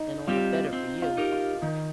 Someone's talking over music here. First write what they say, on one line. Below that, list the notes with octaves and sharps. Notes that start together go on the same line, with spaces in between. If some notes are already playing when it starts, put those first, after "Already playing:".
Then all the better for you.
Already playing: D#4
G3 C4 F4 G4
C4
F4
D#4 G4 A#4
F4
D#3 D#4